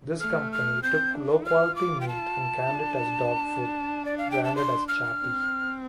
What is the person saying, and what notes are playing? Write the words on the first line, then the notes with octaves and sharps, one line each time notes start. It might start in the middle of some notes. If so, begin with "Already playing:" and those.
This company took low-quality meat and canned it as dog food, branded as "Chappie".
A3 F6
F6
C4 G6
D4
F4 F6
D6
G5
A5
D4
D5
F5
G5
A5
C6
F6
C4